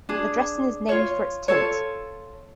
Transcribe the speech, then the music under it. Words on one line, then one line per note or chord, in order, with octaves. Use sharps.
The dressing is named for its tint.
D4 G#4
F4 C#5
F4 A4 C#5